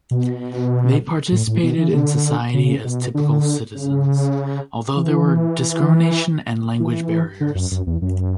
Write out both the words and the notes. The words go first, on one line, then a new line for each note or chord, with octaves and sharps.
They participated in society as typical citizens, although there were discrimination and language barriers.
B2
A2
A2
B2
E3
D3
C#3
B2
D3
C#3
E3
E3
D3
F#2
F#2
E2
F#2